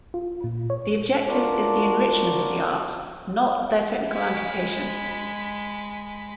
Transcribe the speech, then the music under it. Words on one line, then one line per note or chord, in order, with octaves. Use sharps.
The objective is the enrichment of the arts, not their technical amputation.
F4
A#2
C#5
D4 F4 F#4 A#4 D5
G#3 B5